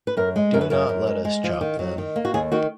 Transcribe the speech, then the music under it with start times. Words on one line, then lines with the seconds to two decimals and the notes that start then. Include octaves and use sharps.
Do not let us chop them.
0.07 B4
0.17 F#2 A#4
0.36 G#3
0.53 F#2 A#4
0.61 B4
0.70 F#2 A#4
0.89 F#2
1.07 G#3
1.25 G#3
1.44 F3
1.61 D#3
1.79 F#3
1.98 D#3
2.16 A#3
2.25 F#4
2.34 D#2 G#4
2.52 D#3 F#4